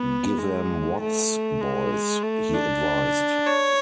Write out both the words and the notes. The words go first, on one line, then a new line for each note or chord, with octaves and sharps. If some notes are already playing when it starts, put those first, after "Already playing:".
"Give 'em Watts, boys!", he advised.
Already playing: B3
G#3
A3
G#3
A3
D4
C#5